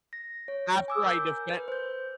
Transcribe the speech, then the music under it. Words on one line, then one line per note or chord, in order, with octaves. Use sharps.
after I defend
A#6
C#5
G#5 D6 E6
A#4 G6
B4
C5 G6